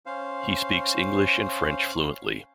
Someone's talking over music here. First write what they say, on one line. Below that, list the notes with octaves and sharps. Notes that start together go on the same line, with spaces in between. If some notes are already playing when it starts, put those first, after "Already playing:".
He speaks English and French fluently.
C#4 C5 F5